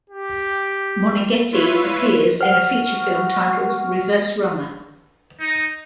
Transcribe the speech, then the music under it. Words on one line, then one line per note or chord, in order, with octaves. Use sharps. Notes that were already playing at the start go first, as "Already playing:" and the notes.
Moneghetti appears in a feature film titled "Reverse Runner".
G4
E4 F4 B4 C#5 E5 D#7
F#4 C5 F#5 F6
D#4